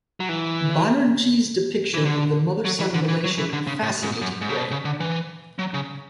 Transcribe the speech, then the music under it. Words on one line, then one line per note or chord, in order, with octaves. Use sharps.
Banerjee's depiction of the mother-son relation fascinated Ray.
F#3
E3
E3
D3
F#3
E3
D3
E3
F#3
E3
D3
C#3
A2
G#2
F#2
G#2
C#3
B2
C#3
D3
E3
F#3
C#3